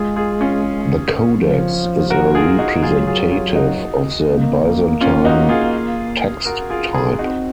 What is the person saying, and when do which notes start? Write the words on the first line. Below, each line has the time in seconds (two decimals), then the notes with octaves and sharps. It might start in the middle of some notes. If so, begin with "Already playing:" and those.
The codex is a representative of the Byzantine text-type.
Already playing: G#3 F4 G#4
0.16 F4 G#4
0.41 C#4 F4
1.37 F3
2.10 F#4 A#4
2.35 F4 G#4
2.58 D#4 F#4
2.83 F#3 F4 G#4
3.07 F4 G#4
3.31 F4 G#4
3.55 D#4 F#4
4.28 A#3
5.01 C#4 F4
5.25 D#4 F#4
5.49 F4 G#4
6.45 F#4 A#4
6.70 F4 G#4
6.94 F4 G#4
7.18 C4 D#4 F#4